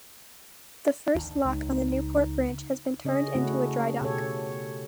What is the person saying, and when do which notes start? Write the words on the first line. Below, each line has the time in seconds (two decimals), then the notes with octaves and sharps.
The first lock on the Newport Branch has been turned into a dry-dock.
1.15 D2 D#3
1.45 C#2 D#4
3.05 C#3 C#4 D#5
3.35 C#3 A3 C#4 E4 F#4
4.01 B2 G4 A4 C#5